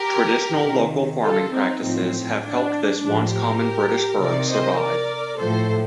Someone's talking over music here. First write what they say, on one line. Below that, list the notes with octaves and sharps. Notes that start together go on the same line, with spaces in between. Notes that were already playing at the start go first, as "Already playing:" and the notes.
Traditional local farming practices have helped this once common British bird survive.
Already playing: G4 A#4
C3 D#3
F4 A4
C4 D#4
A2 F3 C4
D4
A2 F3 D4
G4 A#4
C3 D#3 A#4 D5
C5 D#5
A#4 D5
A2 F3 A4 C5